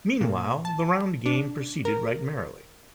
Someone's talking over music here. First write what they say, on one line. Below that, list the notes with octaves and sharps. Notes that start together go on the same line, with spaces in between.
Meanwhile the round game proceeded right merrily.
A#2
A5
D4
A#4